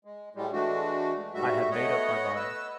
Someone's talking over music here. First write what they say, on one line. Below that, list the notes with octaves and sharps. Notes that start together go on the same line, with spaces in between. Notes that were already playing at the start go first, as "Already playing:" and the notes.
I had made up my mind.
G#3
A2 G3 G#3
E3 G#3 A3 D4 F#4
G#2 G3 A3 F#4 E5
A3 B3 C#5 D#5 F#5
B4 E6